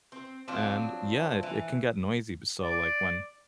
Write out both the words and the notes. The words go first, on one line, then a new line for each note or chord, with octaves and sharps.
and yeah, it it can get noisy but so, like, when
C4
F3 F#3 C4 D4
E3
D5